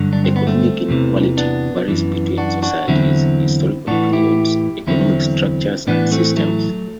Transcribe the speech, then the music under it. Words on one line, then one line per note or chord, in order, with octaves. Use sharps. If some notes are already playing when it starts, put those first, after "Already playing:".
Economic inequality varies between societies, historical periods, economic structures and systems.
Already playing: G2 D3 F#3
D4
C4
B3
A3 C4
E2 C3 E3
B3 D4
F#2 E3
D4 F#4
D4 F#4
E2 D3 F#3 C4 E4
A2 E3 D4 F#4
E4 G4
E2 D3 F#3 C4 E4
A2 E3 B3 D4
A3 C4
F#3 A3